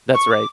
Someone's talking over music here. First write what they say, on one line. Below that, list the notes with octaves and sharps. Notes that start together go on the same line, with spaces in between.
That's right.
C#6
D6